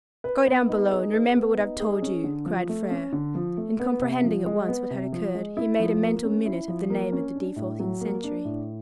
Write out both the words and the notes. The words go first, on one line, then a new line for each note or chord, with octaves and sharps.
"Go down below, and remember what I've told you," cried Frere; and comprehending at once what had occurred, he made a mental minute of the name of the defaulting sentry.
B4
B3
D#4
G#4
B4
B3
D#4
G#4
C#4
D3
F3
A3
C#4
D3
F3
A3
B3
C3
F3
G#3
B3
C3
F3
G#3
E4
F3
A#3
C#4
E4
F3
A#3
C#4
D4
A2
F#3
A#3
D4
A2